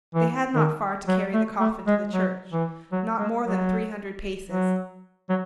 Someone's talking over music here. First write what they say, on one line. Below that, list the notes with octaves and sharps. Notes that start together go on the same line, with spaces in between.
They had not far to carry the coffin to the church, not more than three hundred paces.
E3
D#3
F#3
A3
A3
G#3
F#3
E3
F#3
G#3
F#3
F#3
F#3